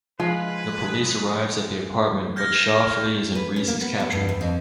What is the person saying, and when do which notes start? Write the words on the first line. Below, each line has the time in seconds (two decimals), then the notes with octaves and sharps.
The police arrives at the apartment but Shaw flees and Reese is captured.
0.20 F3 G#3 F4 B4
2.36 F6 G6 G#6 A#6
3.35 B4
3.56 C#4
3.68 A#3
3.81 B3
4.00 B3
4.12 G2
4.29 E2
4.41 F2